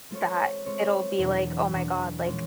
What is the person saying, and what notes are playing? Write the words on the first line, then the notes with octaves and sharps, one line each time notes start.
That it'll be like, "Oh my god," like,
G#3 C4 F4 A4 C#5
G#3 C4 F4 A4 C#5
E2 B2 F#3 A#3 D4
E2 B2 F#3 A#3 D4
A#2 F3 G#3 C#4